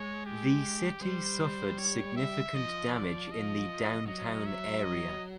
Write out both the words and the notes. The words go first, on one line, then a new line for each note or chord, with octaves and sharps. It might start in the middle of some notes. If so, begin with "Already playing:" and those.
The city suffered significant damage in the downtown area.
Already playing: G#3 C#5
G4
G3 C5
C#5
E5
F3 D#5
D5
D#5
F#3 D#5
E5
D#5